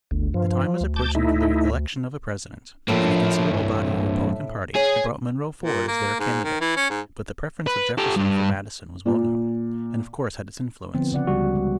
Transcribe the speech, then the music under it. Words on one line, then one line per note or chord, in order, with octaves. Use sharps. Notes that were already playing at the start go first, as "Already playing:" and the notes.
The time was approaching for the election of a president, and a considerable body of the Republican party had brought Monroe forward as their candidate, but the preference of Jefferson for Madison was well known and of course had its influence.
G1 D2
G2 F3
D2
A5 D6 G6
A3 D#4 E4
A2 F3 A3 A#3 D4
C2 G2
G#4 C#5
A#2
A#3
G#2
D#3
E3
C#4
G#2
B4
G4 A4
G2
A#2
D3 F3 B3 C4
C#3 D5 F#5
C#2 G3 F#4
G#3